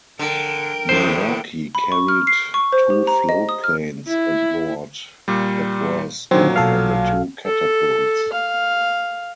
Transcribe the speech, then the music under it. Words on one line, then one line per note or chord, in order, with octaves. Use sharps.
"Milwaukee" carried two floatplanes aboard that were stored on the two catapults.
D3 A#4 G5
E2 A2 D3 C5
B5
C#6
F6
C7
C#6
C5
G4
A#5
D#5
D#6
F6
E4
A#2 G3
A#2 D3 D#3 F#3 C4
B1 A4 F5
A4
F5